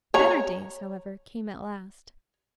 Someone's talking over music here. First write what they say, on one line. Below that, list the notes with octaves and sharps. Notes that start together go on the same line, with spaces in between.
Better days, however, came at last.
C#5 A#5